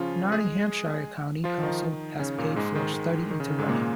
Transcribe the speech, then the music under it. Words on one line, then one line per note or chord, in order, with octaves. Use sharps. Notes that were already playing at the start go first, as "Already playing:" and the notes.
Nottinghamshire County Council has paid for a study into running.
Already playing: C#3 F3 C#4 F4
G#3 G#4
F3 F4
D#3 D#4
C#3 C#4
A#2 A#3
G#2 G#3
D#3
D#3
D#3
C#3
D#3
G#2 G#3
A#2 A#3